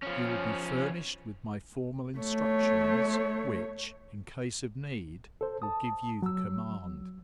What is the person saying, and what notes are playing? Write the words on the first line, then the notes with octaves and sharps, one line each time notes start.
You will be furnished with my formal instructions, which, in case of need, will give you the command.
F3 C#4
A3 C#5
A4 C5
A5 D#6
F#3 E6